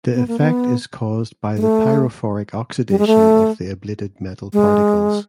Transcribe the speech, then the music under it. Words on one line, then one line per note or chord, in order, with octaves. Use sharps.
The effect is caused by the pyrophoric oxidation of the ablated metal particles.
B3
A#3
B3
G#3
A3
G3
G#3
A3
G#3